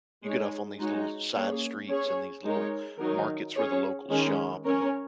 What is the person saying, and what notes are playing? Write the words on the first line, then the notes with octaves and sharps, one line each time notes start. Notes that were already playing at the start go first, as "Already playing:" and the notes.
you get off on these little side streets and these little markets where the locals shop, and
G#3 D#4 G#4 C#5
G#3 D#4 F#4 C#5
A#3 C#4 G#4 C#5
C#4 G#4 C#5
G#3 D#4 A#4 C#5
D#3 F#3 D#4 A#4
C#4 G#4 C#5
D#3 G#3 C#4
C#4 A#4 C#5